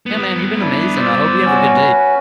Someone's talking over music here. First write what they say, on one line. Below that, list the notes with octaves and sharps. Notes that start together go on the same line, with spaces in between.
Yeah, man, you've been amazing, I hope you have a good day.
G2 B3
D4 E4
C5 D5 E6
C#4 F#4
B4